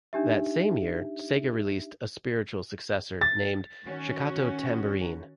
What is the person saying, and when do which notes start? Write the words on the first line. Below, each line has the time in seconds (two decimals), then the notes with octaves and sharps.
That same year, Sega released a spiritual successor named "Shakatto Tambourine".
0.13 D4 D#4 G4 E5
3.21 A6
3.83 D#3 C#4 F#4